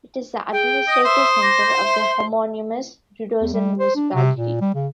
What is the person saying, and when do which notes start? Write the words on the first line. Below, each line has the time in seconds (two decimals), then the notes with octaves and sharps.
It is the administrative centre of the homonymous Rudozem Municipality.
0.52 G#4 G5
0.88 D#5 D#6
1.05 C5 E5
1.43 D6 A#6
1.83 E5 C6
3.42 E2
3.53 G3
3.79 C5
3.95 D4
4.14 C3
4.36 A#2
4.61 G3
4.75 C#3